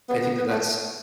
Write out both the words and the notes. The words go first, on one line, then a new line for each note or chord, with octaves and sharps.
I think that that's
B3
B3
B3
A3